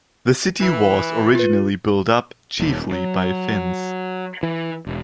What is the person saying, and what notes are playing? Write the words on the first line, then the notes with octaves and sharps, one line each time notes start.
The city was originally built up chiefly by Finns.
E3
F4 B4
D#1
F#3
E3
E1